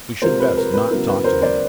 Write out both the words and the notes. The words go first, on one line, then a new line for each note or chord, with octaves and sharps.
"We should best not talk to him."
C3 F3 G#3 A#4 C5
B4
A#4
B4
C#3 F#3 B3 E4 A#4
B4
A#4 C5
C5 D5